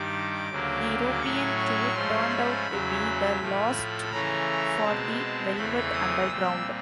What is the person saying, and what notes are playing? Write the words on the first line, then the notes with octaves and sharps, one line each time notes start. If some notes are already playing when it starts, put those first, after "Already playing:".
The European tour turned out to be the last for the Velvet Underground.
Already playing: G2 D#3 G3 D6
D2 C#3 F#3 A#3
A2 F#3 A3 C#4 C#6
C#6
G#2 F3 A3 C#4 C6
B5
E2 C#3 F#3
A2 F3 A3
C#3 E3 A3 C#4 A#5
B2 G#3 C4 A5
E2 C#3 E3 A3 C4 B5
D#6
A#2 G3 C4 E6